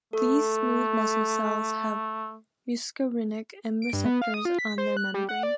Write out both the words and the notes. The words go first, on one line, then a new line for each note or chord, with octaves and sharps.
These smooth muscle cells have muscarinic M receptors on their membrane.
A3 A4
D7
G2
B3
F5
D#6
F4
B6
C5
F#6
G3
F#5
D5